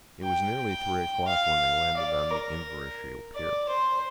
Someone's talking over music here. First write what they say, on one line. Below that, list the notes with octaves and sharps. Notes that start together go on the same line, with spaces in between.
It was nearly three o'clock when they landed on the Inverashiel pier.
G5
F5
D5
A#4
D5
C5